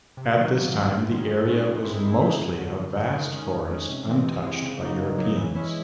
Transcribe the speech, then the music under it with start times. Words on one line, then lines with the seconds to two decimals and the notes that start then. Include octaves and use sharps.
At this time the area was mostly a vast forest untouched by Europeans.
0.17 C3
0.36 D#3 F#3 A#3
0.55 C3
0.73 D#3 F#3 A#3
0.91 F#2
1.10 D#3 G#3 C#4
1.29 F#2
1.47 D#3 G#3 C#4
1.66 D#3
1.85 G#3 C4 E4
2.03 D#3
2.21 G#3 C4 E4
2.40 F#2
2.58 D3 F#3
2.77 F#2
2.96 D3 F#3
3.14 D#3
3.33 G#3 C#4
3.51 D#3
3.70 G#3 C#4
3.89 C3
4.07 E3 G#3 C4
4.25 C3
4.43 E3 G#3 C4
4.62 C#3
4.81 F#3 A#3 D#4
5.00 C#3
5.18 F#3 A#3 D#4
5.37 E3
5.55 G#3 C#4 E4